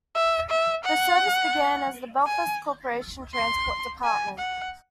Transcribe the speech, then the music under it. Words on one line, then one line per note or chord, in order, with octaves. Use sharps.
The service began as the Belfast Corporation Transport Department.
E5
E5
F#5
G#5
C6
G#5
F#5